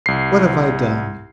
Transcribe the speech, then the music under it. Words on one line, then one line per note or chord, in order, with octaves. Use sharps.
What have I done?
C2 C7